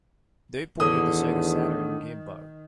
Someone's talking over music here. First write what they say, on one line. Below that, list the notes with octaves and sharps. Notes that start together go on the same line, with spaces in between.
They ported the Sega Saturn game Bug!
E2 A2 D3 D#3 D#6